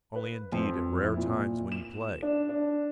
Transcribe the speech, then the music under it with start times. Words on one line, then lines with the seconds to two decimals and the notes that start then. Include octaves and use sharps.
Only indeed at rare times when you play.
0.15 B4
0.52 F2
1.03 E4
1.17 A#2
1.72 E7
2.22 D4
2.49 D4